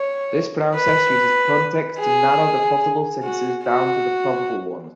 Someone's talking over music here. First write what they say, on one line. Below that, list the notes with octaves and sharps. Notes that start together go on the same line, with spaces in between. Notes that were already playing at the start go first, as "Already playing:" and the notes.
This process uses context to narrow the possible senses down to the probable ones.
Already playing: C#5
B4
G#4
F#4
F#4